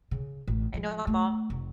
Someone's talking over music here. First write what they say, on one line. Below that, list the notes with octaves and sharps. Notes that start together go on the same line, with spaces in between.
know my mom,
C#3
A1
F3
A3
F1